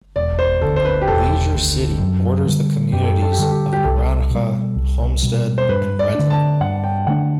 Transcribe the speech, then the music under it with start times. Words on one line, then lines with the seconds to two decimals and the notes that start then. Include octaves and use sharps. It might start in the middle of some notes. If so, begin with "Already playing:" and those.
Leisure City borders the communities of Naranja, Homestead, and Redland.
0.16 E1 D5
0.39 C5
0.61 D2 D3 A4
0.76 C5
0.85 B4
1.01 G4
1.08 E1 A4
1.54 D2 D3
2.00 F#2
2.46 D3 G3
2.92 F#2 G4
3.02 A4
3.12 G4
3.22 A4
3.32 G4
3.38 D3 G3 A4
3.51 G4
3.73 G4
3.84 C2 A4
4.30 B2 G3
4.76 C2
5.23 B2 G3
5.58 C5
5.69 G2 B4
5.99 D5
6.15 D3 A3 D4
6.30 A5
6.61 G2 F#5
6.84 G5
7.07 D3 A3 D4 F#5